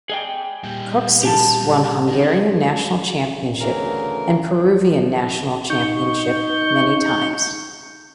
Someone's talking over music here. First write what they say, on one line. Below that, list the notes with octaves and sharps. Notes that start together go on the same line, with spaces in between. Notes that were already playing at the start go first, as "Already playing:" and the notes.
Kocsis won Hungarian national championship and Peruvian national championship many times.
G#4 D#5 G5
A#2 G3
G4 G#5 A5
D#3 D#4
D2 C#3 E3 A#4
D#4 C#6 G6